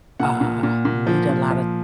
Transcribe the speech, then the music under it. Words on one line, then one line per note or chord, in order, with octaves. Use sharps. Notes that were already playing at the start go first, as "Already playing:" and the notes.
uh, meet a lot of
A#2 F#5
A#2
A#2
A#2
F3
A#2
F3